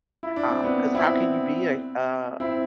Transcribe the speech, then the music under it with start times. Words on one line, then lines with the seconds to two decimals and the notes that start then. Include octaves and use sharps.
um, 'cause how can you be a a
0.23 E4
0.36 D4
0.50 C4
0.64 B3 D4
0.95 C4 E4
2.40 C4 E4